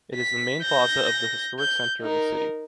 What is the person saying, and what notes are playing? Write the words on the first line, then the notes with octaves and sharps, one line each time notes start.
It is the main plaza of the historic center of the city.
B6
G6 A#6
G6
D#4 A#4